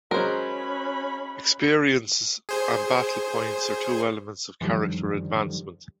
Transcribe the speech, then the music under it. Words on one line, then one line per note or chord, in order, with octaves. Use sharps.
'Experiences' and 'Battle points' are two elements of character advancement.
F#3 G#3 C#4 A#4 C5 B5
G#4 C5
F#2 D3 D#3 F3 G3